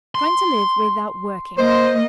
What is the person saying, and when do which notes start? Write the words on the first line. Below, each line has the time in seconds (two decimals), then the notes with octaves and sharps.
Trying to live without working.
0.15 C6
1.57 A#3 C5 D#5